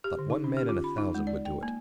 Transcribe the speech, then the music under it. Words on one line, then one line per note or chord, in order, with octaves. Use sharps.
Not one man in a thousand would do it.
G4
D3
D#4
C#4
G4
F4
B5
D#4
G#3
D5
G5
A#3